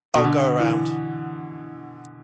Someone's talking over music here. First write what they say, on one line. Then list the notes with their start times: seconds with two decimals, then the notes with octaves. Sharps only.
I'll go around.
0.15 B2
0.24 D3
0.60 E3